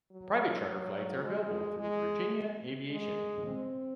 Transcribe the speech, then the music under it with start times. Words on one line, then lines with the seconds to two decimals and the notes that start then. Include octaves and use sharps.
Private charter flights are available through Virginia Aviation.
0.12 F#3
1.23 G#3
1.79 G#3
2.91 G#3
3.46 C4